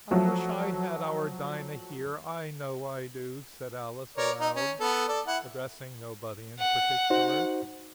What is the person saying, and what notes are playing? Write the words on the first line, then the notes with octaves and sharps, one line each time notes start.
'I wish I had our Dinah here, I know I do!' said Alice aloud, addressing nobody in particular.
F3 F#3 A3
A#4 C#5 D5
D#4 A#5
C#4
B3 A4
A4 D5
E4 F#5
F#5
D#4 F#4 C5